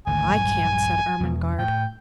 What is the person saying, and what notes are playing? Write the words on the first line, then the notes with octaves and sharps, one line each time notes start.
"I can't," said Ermengarde.
G#1 D2 D3 G#5
A#1 G2 F#3
E2 B2
A2 G5